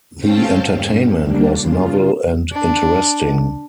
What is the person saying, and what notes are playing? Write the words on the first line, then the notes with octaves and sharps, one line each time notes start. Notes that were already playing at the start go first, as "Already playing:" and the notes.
The entertainment was novel and interesting.
C4 C#4 F5 G5 A5
G2
G3 A#3 D4
C#3 F4
D4